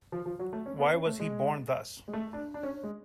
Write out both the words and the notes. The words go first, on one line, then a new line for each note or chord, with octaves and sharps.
Why was he born thus?
F3
F3
F#3
A3
C#4
B3
C#4
A3
G#3
G#3
A3
D4
D4
C#4
G#3